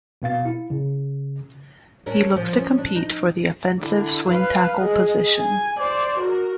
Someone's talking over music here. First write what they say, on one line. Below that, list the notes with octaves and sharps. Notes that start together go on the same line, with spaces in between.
He looks to compete for the offensive swing-tackle position.
B2 B3 F5 A6
E4
C#3
C#4 D4 A#4
F3
C#4
D4
D#4
D3 E4
B4 F5
G#4 D#5
G#5
C5 D5
F#4 A#4